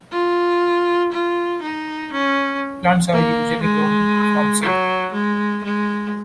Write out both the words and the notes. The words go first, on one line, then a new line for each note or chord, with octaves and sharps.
Plants are usually grown from seed.
F4
F4
D#4
C#4
A#3
G#3
F#3
G#3
G#3